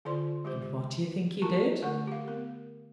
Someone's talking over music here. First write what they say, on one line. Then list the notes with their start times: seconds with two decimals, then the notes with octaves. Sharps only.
And what do you think he did?
0.05 D3 F4 C5 D5 C6
0.45 G#3 G4 C5
1.42 F4 A#4 A5 A#5 C#6
1.82 D3 A3 A#4 F#5 C#6
2.07 G4 F5
2.28 B3 A#4